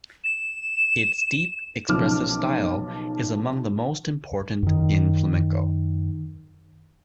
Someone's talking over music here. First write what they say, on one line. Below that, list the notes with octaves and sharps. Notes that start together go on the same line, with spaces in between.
Its deep, expressive style is among the most important in flamenco.
E7
B1 C#3 F3 D6 F6
F#2 D#3